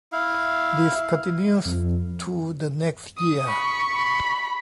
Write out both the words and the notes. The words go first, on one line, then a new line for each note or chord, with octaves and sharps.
This continues to the next year.
E4 F5
F2
D#6
B5 C#6
B5